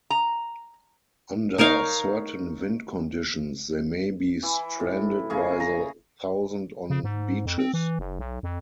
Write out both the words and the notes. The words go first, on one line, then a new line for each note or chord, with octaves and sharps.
Under certain wind conditions, they may be stranded by the thousand on beaches.
A#5
D#4 A#4 C#5 F5
E3 E4
A2
C#3 A#3 G#4
A#5
C#3
G#2
F2
C4
E3
F#1
B1
F2